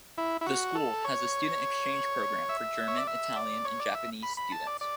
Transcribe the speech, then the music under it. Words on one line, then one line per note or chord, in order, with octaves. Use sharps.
The school has a student exchange program for German, Italian and Japanese students.
E4
E4
F#4
A4
C#5
E5
C#5
D5
E5
D5
C#5
D5
E5
B5
B5
A5
D5
D5